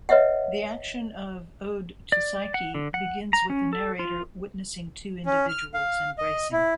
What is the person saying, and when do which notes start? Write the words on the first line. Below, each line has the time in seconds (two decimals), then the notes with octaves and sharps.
The action of "Ode to Psyche" begins with a narrator witnessing two individuals embracing.
0.09 B4 C#5 D#5 E5 F#5
2.12 D5
2.54 F#5
2.75 D3
2.94 F#5
3.33 A#5
3.50 C#4
3.73 A4
3.99 F4
5.26 C#4
5.49 F6
5.74 F5
6.18 D#5
6.52 E4